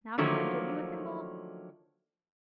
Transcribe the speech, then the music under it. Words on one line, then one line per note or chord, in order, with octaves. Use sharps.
"Now shall I give you a thimble?"
D3 D#3 F3 F#3 A3 A#3